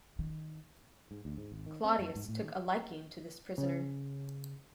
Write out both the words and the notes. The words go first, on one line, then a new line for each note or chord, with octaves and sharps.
Claudius took a liking to this prisoner.
D#3
G#2
D2
G#2
G#1
D#3
C4
F#2
G#2
A2
D#3
C#3